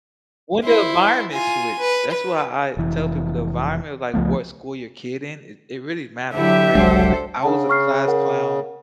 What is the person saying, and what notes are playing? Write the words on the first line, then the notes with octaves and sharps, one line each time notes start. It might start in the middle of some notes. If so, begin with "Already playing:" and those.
When the environment switched, that's why I tell people, "The environment of, like, what school your kid in, it it really matters." Right, 'cause, like, I was a class clown
E4 C5
F4 G#5
B4
B4
F1 E3
C#2 F3 A3 B3
D3 F#3 E4 G4 E5
F#1 C2 F#3 G#3 D4 A4 C5
C#3 D4 F#5 A5
C#6 F6 C7
A#4 F#5